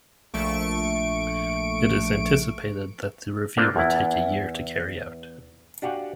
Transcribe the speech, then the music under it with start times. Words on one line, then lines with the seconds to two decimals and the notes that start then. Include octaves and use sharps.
It is anticipated that the review will take a year to carry out.
0.33 A#1 A3 C#6 D7
3.57 A#3 C4 D4 F4 A4 A#4
3.76 E2 E4
5.82 D4 F#4 G4 F5 F#5 G#5